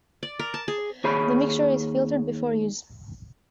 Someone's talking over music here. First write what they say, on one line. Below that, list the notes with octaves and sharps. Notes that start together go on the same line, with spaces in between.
The mixture is filtered before use.
D5
A#4
A5
G#4
D#2 G#4 C#5 B5